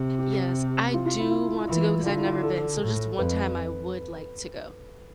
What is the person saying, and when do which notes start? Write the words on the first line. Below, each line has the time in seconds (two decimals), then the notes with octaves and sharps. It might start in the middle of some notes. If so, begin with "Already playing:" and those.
Yes, I do want to go 'cause I've never been, so just one time I would like to go.
Already playing: C3
0.19 G4
0.94 F4
1.06 F4
1.19 E4
1.31 F4
1.68 E3
2.06 D3 F4
2.16 E4
2.25 F4
2.43 A4
2.80 A2
3.19 F2 B4